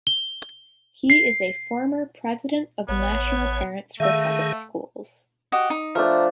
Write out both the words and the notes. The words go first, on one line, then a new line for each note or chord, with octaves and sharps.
He is a former President of National Parents for Public Schools.
G7
C7
A1 B3 C#5
D#3 A3 G#4 E5 F5 E6
F#4 G4 D#5
D#4
F3 A3 D4 A#4